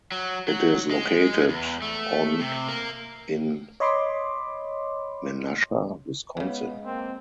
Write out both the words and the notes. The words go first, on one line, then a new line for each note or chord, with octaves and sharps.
It is located on in Menasha, Wisconsin.
F#3
F#3
G#3
E2
A3
C3
A#3
C#5 D#5 B5 C6 D6
C#3 E3 G#3 B3
A#3 C4